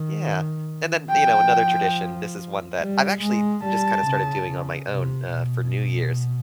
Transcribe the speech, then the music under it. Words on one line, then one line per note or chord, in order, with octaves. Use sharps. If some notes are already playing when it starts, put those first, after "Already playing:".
Yeah, and then, you know, another tradition this is one that I've actually just kind of started doing on my own, uh, for New Year's,
Already playing: D#3
F3 G5
G3
G#3
G3 A5
C#3
C#3
C3
B2